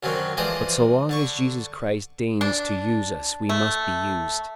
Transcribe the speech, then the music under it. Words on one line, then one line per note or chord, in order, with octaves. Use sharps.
But so long as Jesus Christ deigns to use us, we must be used.
F#2 D3 D#3 F#3 C4
E3 F3 G#3 C5 D5 D#5
D3 A5 C#6
D4
A3